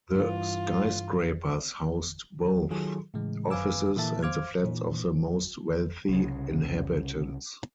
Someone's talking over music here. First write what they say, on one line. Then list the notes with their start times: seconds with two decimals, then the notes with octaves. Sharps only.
The skyscrapers housed both offices and the flats of the most wealthy inhabitants.
0.15 G2 E3 F4
2.71 D#3 F#3 F4 G#4 A4
3.14 A2 C#3 E3 G#3
3.50 F#2 B4 F5 G#5 D6 E6
3.96 A#2 E3 A#3 A4 E5 A5
4.23 C5 F5 D6 F6 G#6
4.62 A#2 E3 D4
6.09 C2 C#3